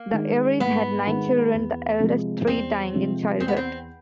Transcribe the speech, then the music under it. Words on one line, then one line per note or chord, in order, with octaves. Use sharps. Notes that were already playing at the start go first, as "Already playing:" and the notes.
The Airys had nine children, the eldest three dying in childhood.
Already playing: A#3
D#3 G#3
G#2 B3
D#3 G#3
E2
C3 F3 G#3
E2 C4
C3 F3 G#3
E2 C4
B3
C4